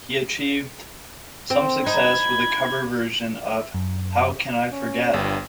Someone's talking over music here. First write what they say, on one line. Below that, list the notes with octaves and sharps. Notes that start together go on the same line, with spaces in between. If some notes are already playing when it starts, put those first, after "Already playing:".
He achieved some success with a cover version of How Can I Forget?
C4
D#4 B5 G#6
E5
F#2
C#4
G1 G2